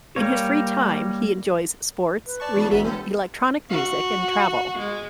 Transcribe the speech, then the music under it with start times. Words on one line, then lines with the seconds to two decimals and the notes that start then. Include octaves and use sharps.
In his free time he enjoys sports, reading, electronic music and travel.
0.16 G3 A#3 C#5
2.26 B4
2.40 D5 A5 C#6
2.55 E1 F3 A#3
2.71 G1 E5 F#5 B6
2.84 B3 C#4 G4 A4
3.70 F#4
4.78 G#3